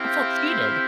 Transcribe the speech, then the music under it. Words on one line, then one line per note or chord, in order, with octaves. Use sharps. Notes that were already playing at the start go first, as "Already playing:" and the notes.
I felt cheated!
Already playing: C4 E4 G4 F5 G5